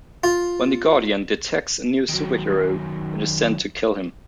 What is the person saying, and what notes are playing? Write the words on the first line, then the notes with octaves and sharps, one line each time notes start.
When the Guardian detects a new superhero, it is sent to kill him.
F4
D#3 F#3